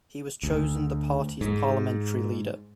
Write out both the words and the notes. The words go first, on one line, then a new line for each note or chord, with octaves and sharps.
He was chosen the party's parliamentary leader.
D2
G#2